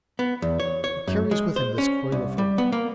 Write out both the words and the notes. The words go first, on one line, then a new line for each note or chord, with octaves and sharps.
He carries with him this coil of rope.
B3
E2
C#5
C#5
F#2
G#3
C5
C#4
C2
G3
B3
A#3